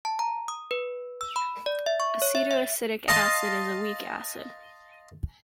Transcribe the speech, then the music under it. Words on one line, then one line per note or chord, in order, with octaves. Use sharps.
Acetoacetic acid is a weak acid.
A5
A#5
D#6
B4
E6
B5
D5
E5
C#6
C#5
E5
E5
D#5 F5 A5 C6